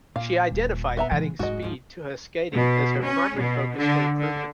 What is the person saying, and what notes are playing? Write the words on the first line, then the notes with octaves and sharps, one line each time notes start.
She identified adding speed to her skating as her primary focus for improvement.
A#2 F5
D#1
B3 E5 A#5
C#3 E3 G#3
D1 F2 G#2 F#4 D#5
G#2 F3
B2
C#4
B2
D3
D3